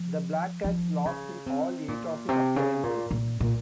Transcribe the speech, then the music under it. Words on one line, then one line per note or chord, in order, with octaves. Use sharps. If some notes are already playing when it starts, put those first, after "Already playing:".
The Black Cats lost in all eight of his appearances.
Already playing: F3
F3
C#3
C3
A#2
C3
C#3
A#2
A#2
A#2